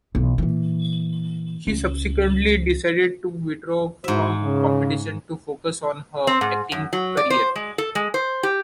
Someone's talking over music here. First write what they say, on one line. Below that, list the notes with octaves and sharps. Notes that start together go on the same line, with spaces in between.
She subsequently decided to withdraw from competition to focus on her acting career.
B1 E3
A#2 E3
C#2
G#2 E4 F#4 C5 E5
C#3
C4
G#2
F#2
F#3
D5
C5
G#3
A4
G#3
C5
G4